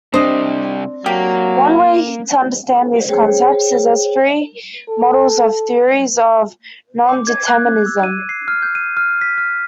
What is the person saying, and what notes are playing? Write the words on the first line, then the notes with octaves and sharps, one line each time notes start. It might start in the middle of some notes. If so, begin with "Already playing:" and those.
One way to understand these concepts is as free models of theories of nondeterminism.
C3 G3 C4 D4 C5 D#5
F#3 A#3 G4
G#4 C5 C#5 G5
A4
D6
G#6
F#6
E6
D#7
C7
F6
G6
D#7
F6
B6
F6